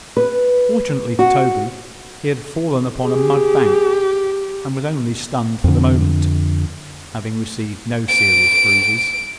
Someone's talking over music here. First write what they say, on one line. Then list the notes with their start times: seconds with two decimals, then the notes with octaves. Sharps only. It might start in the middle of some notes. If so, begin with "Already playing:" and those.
Fortunately for Toby, he had fallen upon a mud-bank, and was only stunned for the moment, having received no serious bruises.
0.17 B4
1.19 F#4
3.05 G4 G#4
5.64 F2 D3
8.09 D7